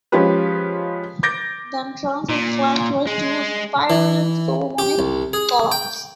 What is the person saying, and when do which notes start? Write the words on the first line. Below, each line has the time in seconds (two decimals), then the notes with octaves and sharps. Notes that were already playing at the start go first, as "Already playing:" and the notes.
The entrance is flanked by two spiraling Solomonic columns.
0.12 F3 G#3 C#4 F4 G4 B4
1.23 D6 G6 A6 A#6 D7
2.29 A#2
3.07 G#3
3.90 E3
4.78 G4
4.99 C2
5.33 G#4
5.72 G5